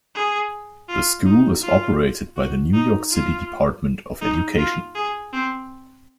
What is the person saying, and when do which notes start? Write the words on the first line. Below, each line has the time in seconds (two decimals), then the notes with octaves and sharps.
The school is operated by the New York City Department of Education.
0.15 G#4
0.89 F4
1.26 D#4
1.62 F4
2.36 F#4
2.73 D#4
3.10 F4
4.21 D#4
4.58 F4
4.95 G#4
5.33 C4